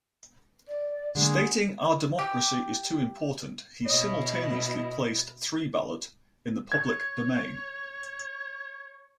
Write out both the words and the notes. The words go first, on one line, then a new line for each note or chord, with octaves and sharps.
Stating "Our democracy is too important", he simultaneously placed ThreeBallot in the public domain.
D5
D3 G#3 A#3 G#4
G4
B2 E4 C#5 D#5 D#6
C#5 G#6